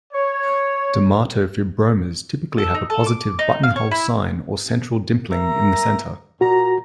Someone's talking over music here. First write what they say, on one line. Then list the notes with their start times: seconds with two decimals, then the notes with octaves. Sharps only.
Dermatofibromas typically have a positive "buttonhole sign", or central dimpling in the center.
0.13 C#5
2.58 A4
2.75 D#4
2.90 A4
3.06 D6
3.39 D#4
3.63 F5
3.76 C#5
3.91 E4
5.31 A#4 E5 A#5
6.41 A#2 F#4 A#5